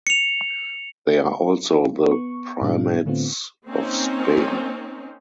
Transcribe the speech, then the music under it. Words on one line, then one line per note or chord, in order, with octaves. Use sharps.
They are also the Primates of Spain.
C#7 F7
B3 C#6
G#2 B2 G3 D4
A2 D3 A3 B3 C4 F4
A#3 C4 C#4 D#4